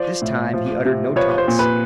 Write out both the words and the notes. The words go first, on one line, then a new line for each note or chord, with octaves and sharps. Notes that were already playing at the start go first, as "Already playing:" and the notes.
This time he uttered no taunts.
Already playing: F3 C5 D5
A2
F3
C3
F3 B4 C#5
C5
A#2
B4